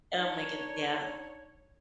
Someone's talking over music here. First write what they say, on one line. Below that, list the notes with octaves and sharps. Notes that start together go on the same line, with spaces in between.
Oh my goodne yeah.
D4 D#4 C#5